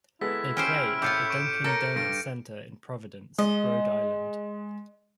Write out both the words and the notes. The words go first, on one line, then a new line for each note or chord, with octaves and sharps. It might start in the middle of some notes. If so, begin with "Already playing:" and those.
They play at the Dunkin' Donuts Center in Providence, Rhode Island.
G#3 B3 E4 A4 B6
C#4 G4 C5 F6 D7
A2 F4 F5 D6 G6 C#7
C#6 D7 E7
A4 A#4 C#5 A#5 A#6 D7
G2 A#6 D7
G#3 D#5